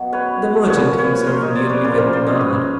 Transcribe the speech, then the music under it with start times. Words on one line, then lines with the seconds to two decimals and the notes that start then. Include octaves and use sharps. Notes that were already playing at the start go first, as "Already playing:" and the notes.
The merchant himself nearly went mad.
Already playing: B2 F#3
0.12 B4 C#5
0.69 A#2 F3 B4 C#5
0.98 B4 C#5
1.26 A#4 C5
1.41 C#5 D#5
1.55 C5 D5
1.69 B4 C#5
1.83 C#3 F3 C5 D5
1.98 A#4 C5
2.13 C5 D5
2.26 C#5 D#5
2.41 B4 C#5